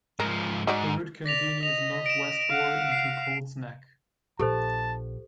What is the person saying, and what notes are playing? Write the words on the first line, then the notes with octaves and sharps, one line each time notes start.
The route continues northwestward into Colts Neck.
G#2 F3 A#4
G#2 D#4 F#4 D5
D5 A#6 B6 F7
D#5 F7
D7 E7
F5 F#5
C7
A#1 D4 G4 A4 C5 A5